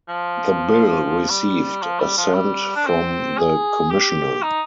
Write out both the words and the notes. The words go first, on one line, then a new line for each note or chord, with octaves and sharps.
The bill received Assent from the Commissioner.
F3
G3
F3
G3
F3
G3
D4
C4
G#4
G4
D#4